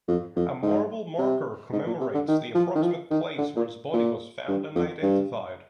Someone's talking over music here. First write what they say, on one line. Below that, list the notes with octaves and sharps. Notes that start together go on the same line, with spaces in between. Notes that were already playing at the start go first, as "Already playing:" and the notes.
A marble marker commemorates the approximate place where his body was found and identified.
F2
F2
G#2
C3
G#2
A#2
C3
D3
D#3
F3
D#3
F3
D#3
D3
A#2
A#2
G2
F2
G2